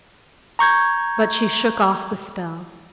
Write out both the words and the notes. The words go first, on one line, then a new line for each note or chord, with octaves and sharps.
But she shook off the spell.
A#5 C#6 G6 G#6